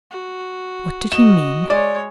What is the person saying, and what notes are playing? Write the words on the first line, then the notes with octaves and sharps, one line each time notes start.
What did he mean?
F#4
F#4 D#5 E7
G#3 C#5 D5